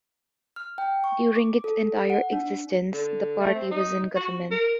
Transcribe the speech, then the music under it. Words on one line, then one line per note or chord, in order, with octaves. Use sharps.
During its entire existence, the party was in government.
F6
G5
C#6
D6
A4
F#5
D4
D3
A3
C4
D#4
F#4
A#4